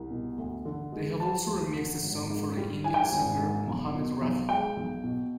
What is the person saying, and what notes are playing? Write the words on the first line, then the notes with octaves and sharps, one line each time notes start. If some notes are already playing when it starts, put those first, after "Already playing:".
They have also remixed a song for the Indian singer Mohammed Rafi.
Already playing: C2
B2
D2
D3
G#3
F3 A5
D2
D3
G#1
G#2
G3
E3 G#5
G5
G#5
G#1
G#2
B1
B2
B1
G#3 G5
B1
B2